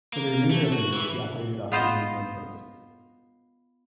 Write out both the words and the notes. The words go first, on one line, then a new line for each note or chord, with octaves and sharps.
For the remainder of the year, she operated off the New England coast.
A#3
A3
F#4
E3
B3 F4 C5 D#5